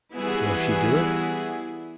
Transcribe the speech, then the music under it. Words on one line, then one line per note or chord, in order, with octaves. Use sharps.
Will she do it?
E3 G3 B3 E4 F#4 G#4